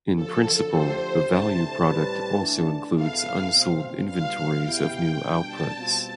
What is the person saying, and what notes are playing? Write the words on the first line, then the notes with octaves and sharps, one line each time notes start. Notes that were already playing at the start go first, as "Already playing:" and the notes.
In principle, the value product also includes unsold inventories of new outputs.
D2 D3 F3 A4
D3 F3 A3 C4 G4 C5
D2 C3 E3 A3 A5
A2 G3 C4 G4 B4 A5
E3 A3 D4
E2 B2 B3 E4 A4 F5
B2 A3 C4
B2 G3 D4 F4 B4 F5
E2 B2 B3 E4 G4 G5
G5
B2 G3 D4
A5
B2 G3 C4 F4